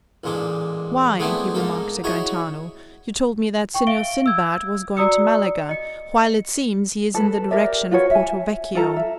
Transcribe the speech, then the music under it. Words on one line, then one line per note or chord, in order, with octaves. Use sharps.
"Why," he remarked to Gaetano, "you told me that Signor Sinbad was going to Malaga, while it seems he is in the direction of Porto-Vecchio."
A1 A#2 G#3 D4
G#3 A3 B3 C4 D4 E4
G#2 A#3 A4
E4 F#4 G#4 C#5 D#5 E5
G5 C#6
E5 F5 D7 G7
E6 G#6
F#4 D5 A#5 D#6 E6 C#7
D#5 C#7
A4 B4
G4 A#4 D5 E5
F4 F#4 B4 C#5
E5 G#5
F4 A4 A#5
E5